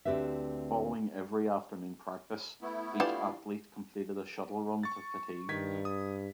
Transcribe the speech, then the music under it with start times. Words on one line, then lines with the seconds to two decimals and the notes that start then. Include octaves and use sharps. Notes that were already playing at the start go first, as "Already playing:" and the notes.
Following every afternoon practice, each athlete completed a shuttle run to fatigue.
0.05 D2 B2 C4 G4 B4 E5
2.62 A3 B3 E4
3.00 E3 D4 F4 G4 A5
4.83 C#6 A6
5.49 G2 D#3 G#6 B6
5.85 D#6